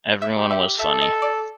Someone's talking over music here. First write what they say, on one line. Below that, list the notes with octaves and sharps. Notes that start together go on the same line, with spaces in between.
Everyone was funny.
E5
G4
E5
A4 E5
D#5
D5